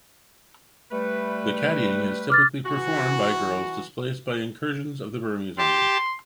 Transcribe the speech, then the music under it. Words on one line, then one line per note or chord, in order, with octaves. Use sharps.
The caddying is typically performed by girls displaced by incursions of the Burmese army.
G3 A3 B4
D6 F6 A6
E3 F#4
G4 A5 C6